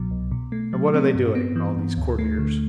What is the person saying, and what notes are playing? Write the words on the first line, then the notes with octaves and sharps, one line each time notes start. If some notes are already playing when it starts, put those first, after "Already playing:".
And what are they doing, all these courtiers?
Already playing: C2 B2 F#3
C2
B2
A3
F#3
C4
G2
B3
E3
G2
D2
A3
D3